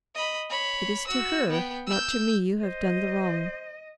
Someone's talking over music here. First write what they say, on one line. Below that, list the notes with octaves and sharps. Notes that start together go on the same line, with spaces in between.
It is to her, not to me, you have done the wrong.
D#5 B5
C#5 B5
F#4 E6
B3 G5
E6 G6
C5 D#5